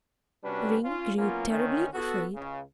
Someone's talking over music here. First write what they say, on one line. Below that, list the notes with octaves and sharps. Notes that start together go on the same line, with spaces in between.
Ring grew terribly afraid.
C3 G3 C#4 D4 F#4 B4
C#4 F4
F#3 A#3 B3 C#4 F4
D3 D#3 A3 C#4
B3 F#4 A4
C#2 C#3